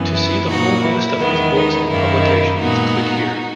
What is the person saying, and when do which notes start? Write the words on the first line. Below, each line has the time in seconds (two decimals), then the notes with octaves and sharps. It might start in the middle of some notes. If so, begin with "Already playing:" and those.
To see the full list of his books and publications click here.
Already playing: F#2 E3 B3
0.13 E4
0.48 A#2 F#3 A#3 D#4 F#4
0.83 E4
1.18 E2 D#3 G#3 B3
1.53 D#4
1.87 F#2 D#3 A#3 E4
2.58 A#2 G#3 B3 D#4 F#4